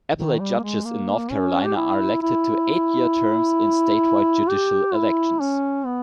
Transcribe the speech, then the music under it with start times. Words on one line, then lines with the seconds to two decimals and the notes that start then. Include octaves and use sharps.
Appellate judges in North Carolina are elected to eight-year terms in statewide judicial elections.
0.17 D#3
0.40 G3
0.58 A#3
0.63 G#3
0.85 A#3
1.31 C#4
1.65 G4
1.76 E4
2.22 E4
4.49 G4
4.95 E4
5.41 C#4
5.86 B3